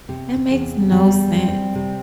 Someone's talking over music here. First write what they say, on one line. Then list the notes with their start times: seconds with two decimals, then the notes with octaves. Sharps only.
That makes no sense.
0.09 C3
0.51 E2
0.92 G3
1.34 C4
1.75 C3